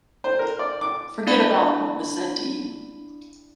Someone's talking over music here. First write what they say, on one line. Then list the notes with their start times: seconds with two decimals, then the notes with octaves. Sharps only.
Forget about what was said to you.
0.24 C5
0.39 A#4
0.59 D5
0.81 D6
1.27 D4 E4 D5 F5 B5